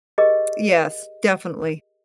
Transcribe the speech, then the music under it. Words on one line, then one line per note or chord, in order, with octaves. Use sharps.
Yes. Definitely.
G4 G#4 A#4 D#5